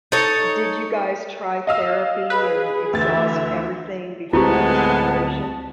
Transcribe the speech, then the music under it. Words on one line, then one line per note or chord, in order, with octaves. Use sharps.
Did you guys try therapy and exhaust everything before the separation?
D#4 A4 C#5
D#5 F5 E6
G#4 B4
D2 E3 E5 A6
D2 A2 G#3 B3 C4 E4 G4 A5